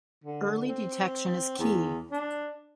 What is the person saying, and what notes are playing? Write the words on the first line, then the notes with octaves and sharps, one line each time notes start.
Early detection is key.
D3
C4
E2
D4